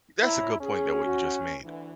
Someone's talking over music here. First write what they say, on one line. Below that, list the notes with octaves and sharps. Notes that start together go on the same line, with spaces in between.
That's a good point that what you just made,
C2 E4 C#5 A#5
C#4 G#4
F#4
D2 D3 E3